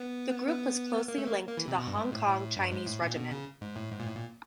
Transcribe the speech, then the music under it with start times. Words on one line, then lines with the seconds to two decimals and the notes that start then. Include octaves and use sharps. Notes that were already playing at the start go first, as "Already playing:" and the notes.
The group was closely linked to the Hong Kong Chinese Regiment.
Already playing: B3
0.48 B3
1.08 A#3
1.18 A3
1.28 A#3
1.47 A#3
1.57 E3
1.68 C3
1.78 B2
1.87 G2
1.97 G#2
2.12 A2
2.27 A2
2.57 G2
2.72 G#2
2.86 A2
3.02 A#2
3.16 B2
3.31 C#3
3.61 G#2
3.76 A2
3.91 G#2
4.00 A#2
4.05 A2
4.16 A#2